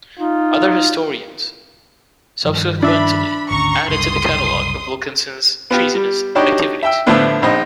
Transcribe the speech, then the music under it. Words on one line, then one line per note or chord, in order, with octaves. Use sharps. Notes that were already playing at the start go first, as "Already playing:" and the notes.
Other historians subsequently added to the catalog of Wilkinson's treasonous activities.
D#4 F4
G2 D#3 F3
D4 E5 B5
G#1 D2 C#4 A#5 C#6
F#1 C2 C6 D#6
B3 F4 G4
G3
D4 D#4 F#4 G4 C#5 D5
E5 G5 E6
A2 D3 F3 A3 B3 D4
A#1 C4 D#4 D#5